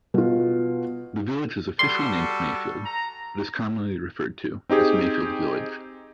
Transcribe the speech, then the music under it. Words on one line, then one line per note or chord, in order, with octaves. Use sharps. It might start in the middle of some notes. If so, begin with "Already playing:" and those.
The village is officially named Mayfield, but is commonly referred to as Mayfield Village.
B2 F4
G3 F#4 A4 C6
A#5
C4 D#4 G4 G#4